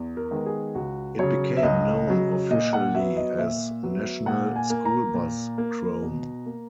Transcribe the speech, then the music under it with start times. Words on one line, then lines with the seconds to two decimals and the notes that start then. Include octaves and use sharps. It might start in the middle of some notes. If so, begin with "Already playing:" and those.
It became known officially as "National School Bus Chrome".
Already playing: E2
0.17 A#4
0.31 D#3 G#3 B3
0.46 G#4
0.75 C#2 F#4
1.19 C#3 F#3 C#5
1.57 E5
1.63 C#2 D#5
2.07 C#3 F#3
2.50 A#2 D#5
2.73 F#5
2.95 F#3 B3 E5
3.17 D#5
3.38 A#2 E5
3.83 F#3 B3
4.26 A#2 F#5
4.56 G#5
4.70 A#3
4.85 A#5
5.14 A#2
5.58 A#3
6.02 B2
6.46 A#3